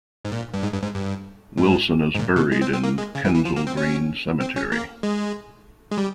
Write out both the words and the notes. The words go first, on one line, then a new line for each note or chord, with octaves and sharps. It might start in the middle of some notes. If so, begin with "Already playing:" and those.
Wilson is buried in Kensal Green Cemetery.
G#2
A#2
G2
G#2
G2
G#2
G2
G#2
G#2
A#2
C3
G#3
C4
C4
A#3
G#3
C#3
E3
E3
F3
A#3
C4
C#4
C4
C#4
A#3
G#3
G#3
G3